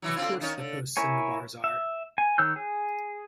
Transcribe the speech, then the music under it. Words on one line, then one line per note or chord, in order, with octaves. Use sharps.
Of course the posts and the bars are!
E3 F#3
D3 C4 F4
D#3 C#4
D3
E4 A#4 C#5 G#5
E5
G#5
D#3 C#5 E6 F#6 G6
G#4